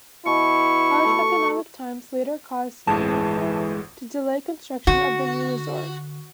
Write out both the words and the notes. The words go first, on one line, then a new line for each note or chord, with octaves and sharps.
Harsh economic times later caused Pinnacle to delay construction of the new resort.
B2 E4 C#6
A3
G1 D2 A2 E3 G#3 A5
D3 F#4